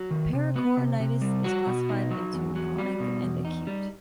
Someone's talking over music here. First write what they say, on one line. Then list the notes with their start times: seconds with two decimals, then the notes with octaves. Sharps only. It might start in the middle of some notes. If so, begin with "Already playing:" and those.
Pericoronitis is classified into "chronic" and "acute".
Already playing: F#3
0.11 D#3
0.33 C3
0.56 B3
0.77 C3
1.00 C3
1.21 G3
1.44 F#4
1.66 B2
1.89 D#4
2.11 F#3
2.34 E2
2.55 F#3
2.78 G3
3.00 B2
3.23 E2
3.45 D#4
3.67 G3